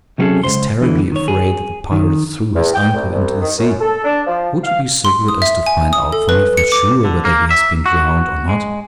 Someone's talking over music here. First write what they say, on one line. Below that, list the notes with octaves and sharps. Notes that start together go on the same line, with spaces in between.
"And he is terribly afraid that the pirates threw his uncle into the sea. Would you be so good as to find out for me, for sure, whether he has been drowned or not?"
C3 F#3 B3 C#4 G#4 A4
C#2 C5 C6
E2 D3 E3
D#3 C#5
G#4
D#3
E2
G5
C2
C2
D#3
F#2
A4
D4
F3
F5
C6
D#6
E5
G#5
D#6
A4
B4
C#7
D6
D3
A#3
E5
F#4
G#3